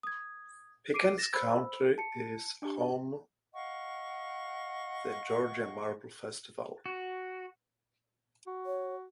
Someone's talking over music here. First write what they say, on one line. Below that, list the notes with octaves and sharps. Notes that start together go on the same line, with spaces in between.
Pickens County is home the Georgia Marble Festival.
D#6 G#6
D6 C7 D7 D#7
A6 A#6 E7
C5 B5 E6
A5 C#7
D4 G4
D#5 F5 F#5 C#6
F#4
F#4
C#5